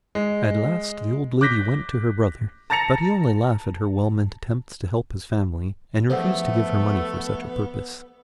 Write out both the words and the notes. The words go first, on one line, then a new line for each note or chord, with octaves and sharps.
At last, the old lady went to her brother, but he only laughed at her well-meant attempts to help his family, and refused to give her money for such a purpose.
G#3
D6 F#6 G6 A#6 B6
A5 A#5 A6 A#6 C#7 F7
E2 G2 F3 A3 B3 C5 F#5